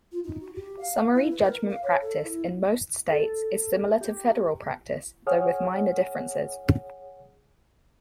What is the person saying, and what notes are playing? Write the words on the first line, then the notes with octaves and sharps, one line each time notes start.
Summary-judgment practice in most states is similar to federal practice, though with minor differences.
F4
D#4
F#4
G4
F5
E4
B4
A#4
F5
C#5
A4
E4
A4
G4
G#4 C#5 F#5 G#5 D#6 F6